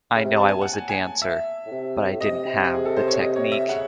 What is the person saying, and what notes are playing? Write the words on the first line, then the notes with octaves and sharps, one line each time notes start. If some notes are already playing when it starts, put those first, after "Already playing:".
I know I was a dancer, but I didn't have the technique.
C#3
C3
A5
G#5
F#5
G#5
G#5
E5
A2
C3
A2
C3 D#5
C3
G#4
A4
C5
C#5
D#5
C#5
E5
C#3 F#5